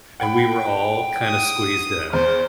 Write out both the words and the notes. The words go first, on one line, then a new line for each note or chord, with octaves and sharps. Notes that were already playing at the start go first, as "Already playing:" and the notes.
and we were all, kinda squeezed in,
F#5 G5 B5
D#6
E2 C5 F6